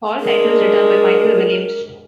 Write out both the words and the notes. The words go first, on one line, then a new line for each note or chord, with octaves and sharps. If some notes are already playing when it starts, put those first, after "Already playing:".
All titles written by Michael Williams.
G#3 D4 A#4